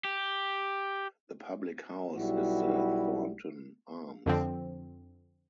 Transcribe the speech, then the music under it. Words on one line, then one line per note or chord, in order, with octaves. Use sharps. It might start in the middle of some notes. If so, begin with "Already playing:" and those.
The public house is the Thornton Arms.
G4
B1 G3 E4 F#4
F2 D3 F3 C4